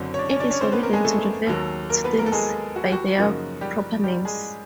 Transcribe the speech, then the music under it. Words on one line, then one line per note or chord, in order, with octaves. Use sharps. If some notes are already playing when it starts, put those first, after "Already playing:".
It is forbidden to refer to things by their proper names.
Already playing: F#1 F#2 D3 F#3 C4
C#5
D4 D5
C#4 C#5
D4 D5
C#4 C#5
C4 C5
B3 B4
A#3 A#4
G#3 G#4
A3 A4
D#2 D#3 F#3
A#3 A#4
B3 B4
A#3 A#4
A4
G#3 G#4
F#4
G4
F#4
F#2 C#3 F3 A#3 D#4 F#4
G3 G4
G3 G4
G#3 G#4